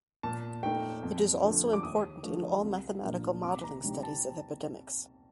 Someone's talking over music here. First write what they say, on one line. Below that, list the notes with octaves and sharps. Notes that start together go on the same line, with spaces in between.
It is also important in all mathematical modelling studies of epidemics.
A#2 A5
A3 D#4 G5
F2
D3 F3 A3
D6
D#2 D#6
D3 F3 A3
C2
A#2 F3 A#3 D4
C2 D6
A#5
C3 G3 C4 D#4
A5